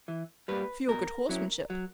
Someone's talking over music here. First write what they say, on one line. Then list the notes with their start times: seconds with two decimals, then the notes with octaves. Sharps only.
"For your good horsemanship."
0.08 E3
0.48 G3 A#3 B4
0.88 B2 A#4
1.29 F#3 C#4 E4
1.70 F#3